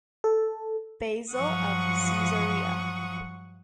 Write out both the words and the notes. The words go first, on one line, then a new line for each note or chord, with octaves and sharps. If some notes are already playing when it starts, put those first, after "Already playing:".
Basil of Caesarea.
A4
G2 F3 F#3 F#5 C#6 D#6